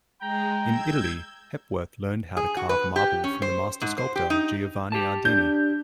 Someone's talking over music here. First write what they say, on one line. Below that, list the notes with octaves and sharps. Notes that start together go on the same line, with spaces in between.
In Italy, Hepworth learned how to carve marble from the master sculptor, Giovanni Ardini.
G#3 G5 A#5
E6 G6 G#6
G#4
F#4
B4
G4
C#4
C5
G#2
C5
G4
D#4
G4 A5
D4 G6